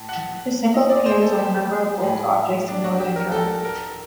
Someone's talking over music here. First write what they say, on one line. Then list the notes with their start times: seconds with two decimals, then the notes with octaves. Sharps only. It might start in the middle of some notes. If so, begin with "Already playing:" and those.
The symbol appears on a number of old objects in Northern Europe.
Already playing: A2 A5
0.09 F#5
0.74 D#5
0.90 D5
1.06 C5
1.22 A4
1.38 G4
2.03 A2
2.68 D4
2.84 F#4
3.00 G4
3.16 A#4
3.32 A4
3.65 A#4